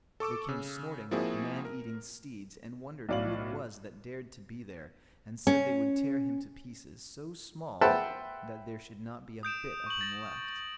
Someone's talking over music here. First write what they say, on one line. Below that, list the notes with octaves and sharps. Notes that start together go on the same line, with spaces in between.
They came snorting like man-eating steeds, and wondered who it was that dared to be there, and said they would tear him to pieces, so small that there should not be a bit of him left.
A4 C#6 D6 E6
C#3
F3 A#3 C4 E4 F#4 G#4
A#4
B1 A2 D5 F5 F#7
C#4
B4 C5 E5 F#5 G5 A5
D#6 G6 D7 E7
C#6 F#7
A6 A#6